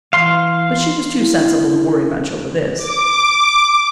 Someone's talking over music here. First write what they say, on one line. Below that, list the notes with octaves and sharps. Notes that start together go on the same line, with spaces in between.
But she was too sensible to worry much over this.
E3 F5 C6
E4
D6